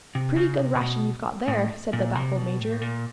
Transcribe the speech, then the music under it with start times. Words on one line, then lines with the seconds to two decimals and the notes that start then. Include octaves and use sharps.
"And a pretty good ration you've got there," said the baffled Major.
0.15 C3
0.36 C#3
0.59 C3
0.75 C3
0.81 B2
1.48 A2
1.93 A#2
2.15 C3
2.37 B2
2.59 A2
2.81 A#2